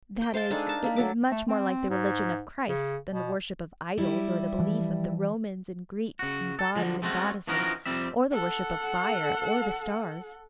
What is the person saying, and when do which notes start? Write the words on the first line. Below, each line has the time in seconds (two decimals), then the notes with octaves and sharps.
That is, it was much more like the religion of Christ than the worship of idols or the belief of the Romans and Greeks in gods and goddesses, or the worship of fire or the stars.
0.22 G5
0.34 C5 F5 G5 A5
0.50 G#3 D4 D#4 A4
0.67 A#4 A5
0.84 A#3 B5
0.96 F#3 A4 D6
1.31 A3
1.48 C4
1.90 G#2
2.69 C#3
3.13 B2
3.98 G3 E4 G4
4.59 E3 F3
6.19 C#3 F#4
6.59 A4
6.76 D3 F3 F#3
7.02 G#3 A3 C4 C#4 F#4
7.47 E3 F3 C#4 D#4 F#4 A#4
7.86 F2 G3 C4 E5
8.31 A4 F#5